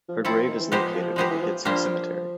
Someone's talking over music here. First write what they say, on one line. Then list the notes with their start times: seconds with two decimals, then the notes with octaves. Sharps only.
Her grave is located at the Hietzing Cemetery.
0.08 F3
0.24 F3 C4 E4 A4
0.36 F3
0.48 D#3
0.60 E3
0.71 F3 G#3 B3 D#4 G4 C5
0.95 F3
1.16 F3 G#3 B3 D#4 G4 C5
1.30 E3
1.41 F3
1.65 F3 G3 A#3 D4 G4 C5